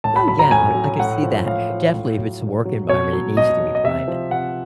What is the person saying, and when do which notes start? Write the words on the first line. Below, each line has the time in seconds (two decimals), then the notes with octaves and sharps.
Oh, yeah, er, I could see that. Definitely, if it's a work environment, it needs it to be private.
0.04 A2 A5
0.16 B5
0.27 F#3 B5
0.39 A#5
0.51 A2 G#5
0.75 F#3
0.99 A2 F#5
1.23 F3
1.46 A2 F5
1.70 F3
1.94 A2
2.17 F#3
2.42 A2
2.65 F#3
2.89 B2 C#5
3.13 F#3
3.37 B2 D#5
3.60 F#3
3.75 D#5
3.84 C3 E5
4.08 F3
4.31 C3 F#5